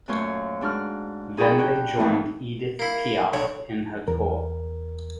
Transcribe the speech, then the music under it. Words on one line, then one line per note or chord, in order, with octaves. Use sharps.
Then they joined Edith Piaf in her tour.
F#2 A#2 A3 F4 C5 C#5
G#2 D4 F#4 F6
D#4 G#4 C#5 D5 G5 B5
D4 F#4 G5
F2 E3 A3 A#3 D#4
A#3 E4
B1 D3 C#5
E2 A#4